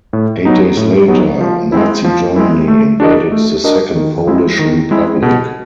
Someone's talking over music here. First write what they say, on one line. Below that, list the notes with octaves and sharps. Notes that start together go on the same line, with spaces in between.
Eight days later, Nazi Germany invaded the Second Polish Republic.
A2
F#3 B3 D#4
A2
F#3 B3 D#4
F3
G#3 C4 E4
F3
G#3 C4 E4
A3
D4 F#4 A#4 D#5
A3
D4 F#4 A#4 D#5
D#3
G#3 C4 E4
D#3
G#3 C4 E4
B2